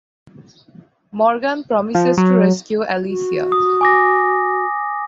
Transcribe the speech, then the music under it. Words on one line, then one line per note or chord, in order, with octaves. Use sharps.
Morgan promises to rescue Alicia.
F3
F#3
F#4
D#6
G#5 D6 A#6